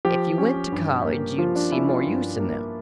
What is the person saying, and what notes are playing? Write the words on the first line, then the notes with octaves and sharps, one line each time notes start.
"If you went to College you'd see more use in them."
F3 G4
C#4
G2
A#3
F3 F4
D4
C#4 E4
F4
G2
A#3